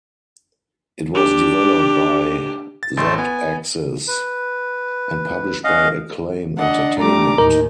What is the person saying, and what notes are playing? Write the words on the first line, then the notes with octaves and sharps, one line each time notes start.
It was developed by Z-Axis and published by Acclaim entertainment.
D4 G4
A6
A1 A3 C5 A5
B3 G#5
B4
C#4 D#5 F5 F#5
D4 D#5 F#5
G3 A3 A#5 D6
D#2 A2 D#4 A#4